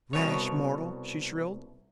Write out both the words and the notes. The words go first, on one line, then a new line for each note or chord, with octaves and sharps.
"Rash mortal!" she shrilled.
C2 B2 C#5